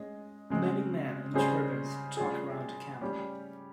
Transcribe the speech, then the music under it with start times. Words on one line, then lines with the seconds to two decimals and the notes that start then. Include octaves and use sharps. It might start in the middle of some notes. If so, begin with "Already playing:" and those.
Many men in turbans talk around a camel.
Already playing: G#3 C#4 G#4 D#5
0.50 C#3 G#3 C4
1.34 C#3 G3 C#4 G#4 C5
2.17 G3 C#4 F4 G#4
3.01 G3 C#4 G4